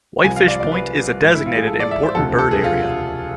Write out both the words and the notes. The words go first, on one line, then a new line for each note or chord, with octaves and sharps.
Whitefish Point is a designated Important Bird Area.
C2 C3 F3 G#5
F5
D5
D5
B4
A1 G#2 E3
E4
F4
G#4
A4
D5
E5
C5
E1 D2 C3 F3 A4
A4
G#4
F4